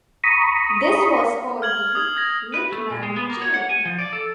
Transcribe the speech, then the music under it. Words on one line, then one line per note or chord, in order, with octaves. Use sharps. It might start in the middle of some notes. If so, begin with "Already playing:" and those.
This was called the "litchman chain".
A#5 B5 C#6 D#6
F6 G#6 F#7
D#6 G#6
G#6 A#6
B4
A3
A#2
G#3
B3
A#3
C#5
F#5
G#5
F3
D5
A4